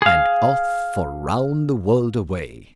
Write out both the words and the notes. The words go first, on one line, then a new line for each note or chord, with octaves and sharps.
And off for round the world away!
G#4 F5